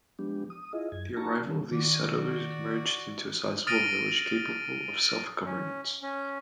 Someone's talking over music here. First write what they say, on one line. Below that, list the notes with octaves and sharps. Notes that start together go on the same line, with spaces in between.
The arrival of these settlers merged into a sizable village capable of self- governance.
F3 G#3 B3 D4 G4
D#6
E4 F4 G#4 D#5
F#2 G#6
D#4 F#4 A5 A#5 C#6
G3 C#4
D#3 F#4 D5
D#6 F6 A6 A#6 D7 D#7
C#4
C#4